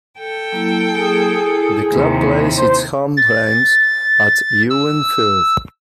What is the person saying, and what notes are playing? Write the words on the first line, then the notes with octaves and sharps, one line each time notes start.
The club plays its home games at Ewen Fields.
A4 G5
F#3 A#3 E4
G#4
E4
D#2 C3
C5
A6
E6